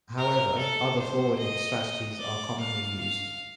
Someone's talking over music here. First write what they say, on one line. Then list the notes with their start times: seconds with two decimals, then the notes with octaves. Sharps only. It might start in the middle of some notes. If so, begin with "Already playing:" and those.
However, other forwarding strategies are commonly used.
0.18 A#4
0.58 A4
0.98 C5
1.39 D#5
1.79 D#5
2.19 D5
2.60 F5
3.00 F5